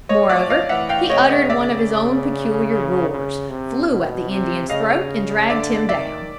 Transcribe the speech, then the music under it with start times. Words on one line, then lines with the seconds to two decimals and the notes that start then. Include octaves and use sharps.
Moreover, he uttered one of his own peculiar roars, flew at the Indian's throat, and dragged him down.
0.09 C#5 D#5
0.30 F3 D5 E5
0.50 D#5 F5
0.69 E3 E5 F#5
0.89 F5 G5
1.10 C#3 C#5 D#5
1.29 C#5 D#5
1.50 D5 E5
3.10 C#3
3.49 C3
3.90 B2
4.30 C3
4.69 C#3 D#5 F5
5.49 D3 D5 E5
5.89 D#3 D5 E5